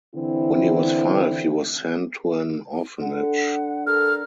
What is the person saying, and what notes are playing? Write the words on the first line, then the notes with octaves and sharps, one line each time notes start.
When he was five he was sent to an orphanage.
D3 E3 C4 E4
D3 F#5
A4 A#4 F6